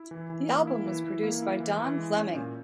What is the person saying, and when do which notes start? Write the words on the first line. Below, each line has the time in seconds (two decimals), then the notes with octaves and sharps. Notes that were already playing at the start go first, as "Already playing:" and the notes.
The album was produced by Don Fleming.
Already playing: E4
0.11 E3
0.30 E3
0.48 A#3
0.67 E4
0.86 E3
1.04 E3
1.23 A#3
1.42 E4
1.60 E3
1.79 E3
1.98 G#3
2.16 C#4
2.35 A#2